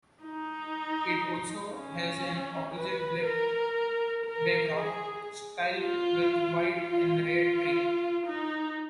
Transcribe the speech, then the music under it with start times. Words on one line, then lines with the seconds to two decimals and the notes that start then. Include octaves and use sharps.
It also has an opposite black background style with white and red trim.
0.24 D#4
1.74 C#4
2.75 B4
3.25 A#4
4.26 A#4
4.75 G#4
5.75 F4
6.76 F4
7.26 F4
8.27 D#4